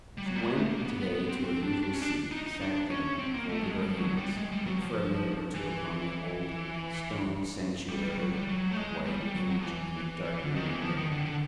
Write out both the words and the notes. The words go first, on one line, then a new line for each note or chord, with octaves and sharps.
She went to-day to her usual seat, sat down, folded her hands, looked for a minute or two upon the old stone sanctuary, the white image and the darkening window.
G3
F#3
G3
G#3
A3
A#3
B3
B3
B3
C4
C4
D4
D4
C#4
D4
D#4
D#4
D4
C#4
C4
A#3
A3
G#3
G3
F3
F#3
G3
G#3
G3
F#3
F3
E3
G3
G3
F#3
G3
F#3
A3
G#3
G3
G3
F#3
F#3
F3
E3
D3
D#3
E3
F3
D#3
D3
D3